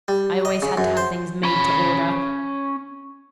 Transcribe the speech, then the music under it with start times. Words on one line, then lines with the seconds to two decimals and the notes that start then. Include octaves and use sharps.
"I always had to have things made to order."
0.08 G3
0.45 D#5
0.62 C#3
0.77 F#2
0.97 C5
1.43 C#4 B5